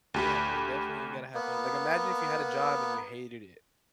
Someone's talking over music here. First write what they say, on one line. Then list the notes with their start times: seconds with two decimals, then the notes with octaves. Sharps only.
Yeah, man, definitely you gotta have fun like, imagine if you had a job and you hated it,
0.14 D2 G4 B5
1.34 A#3 B3